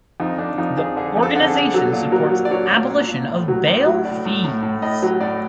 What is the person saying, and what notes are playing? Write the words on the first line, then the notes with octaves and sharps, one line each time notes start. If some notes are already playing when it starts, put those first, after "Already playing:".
The organization supports abolition of bail fees.
F2 D#4
F2 D4
F2 D#4
F2 G#4
D3 G#4
F2
A4
D3
G#4
D3
F#3 A4
A#2
F#3 A#4
F#3
D5
F#3 C#5
A#2
A#2
A#2
A2
F#3
A2
F#3
A2 D5
A2
A2
A2
A2 D#5
F#3
A2 D5